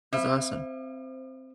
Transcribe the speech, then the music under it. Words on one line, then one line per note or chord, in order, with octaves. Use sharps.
That's awesome.
C4 C5 E5 B5